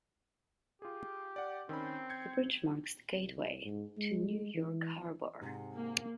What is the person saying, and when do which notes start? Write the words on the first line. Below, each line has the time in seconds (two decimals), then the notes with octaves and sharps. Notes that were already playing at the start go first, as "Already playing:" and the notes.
The bridge marks the gateway to New York Harbor.
0.82 F4 G4 G#4
1.36 D5 F#5
1.69 D#3 C4 C#4 B5
2.10 G6 G#6 C#7
3.24 C2
3.65 G#2
3.98 G#3
4.55 E3
5.41 G#2 C3 D#4
5.76 A#3